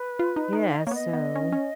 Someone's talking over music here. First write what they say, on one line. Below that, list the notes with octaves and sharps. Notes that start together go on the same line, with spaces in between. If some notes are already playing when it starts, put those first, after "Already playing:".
Yeah, so
Already playing: B4
F4
D#4
D#4
F5
D#5
A#3 C#5
B3 D#5
B3
C#4
C#4